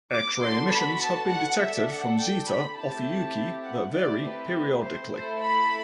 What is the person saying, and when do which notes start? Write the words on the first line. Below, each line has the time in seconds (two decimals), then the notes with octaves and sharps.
X-ray emissions have been detected from Zeta Ophiuchi that vary periodically.
0.12 D6
0.41 B3 D4 F#4 A4 C6
0.71 B5
1.00 A5
1.29 F#5
1.59 D4 A4 E5
1.88 F#5
2.18 G5
2.47 B5
2.76 A3 C4 E4 G4 A5
3.64 F#5
3.93 A3 C4 E4 G4 D5
4.23 B4
4.81 C5
5.11 A3 E4 A4 C5
5.40 B5